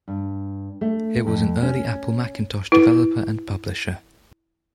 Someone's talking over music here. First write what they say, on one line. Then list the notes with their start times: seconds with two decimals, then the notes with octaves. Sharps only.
It was an early Apple Macintosh developer and publisher.
0.08 G2
0.81 A3
1.26 F2
1.62 C#4
2.72 E4 B4